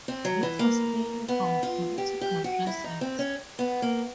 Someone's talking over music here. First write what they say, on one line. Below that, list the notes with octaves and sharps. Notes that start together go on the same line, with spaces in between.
This was mainly for political reasons.
C4
F#3
E3
A#3
B3
F4
G4
G4
F#4
E4
D#4
C4
C#4
B3
A#3